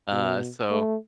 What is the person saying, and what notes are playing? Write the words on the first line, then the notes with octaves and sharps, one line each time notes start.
Uh, so
B2
A3